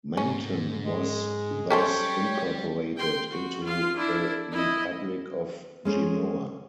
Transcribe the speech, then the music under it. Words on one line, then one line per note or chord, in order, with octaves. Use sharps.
Menton was thus incorporated into the Republic of Genoa.
G#2 C#4
G#3
G3 C#4 A4 C5 C#5 G5
G5 C6
F#4
F4 F5
D4 E4
E4 D#5
G#3 C#4 G#4 C5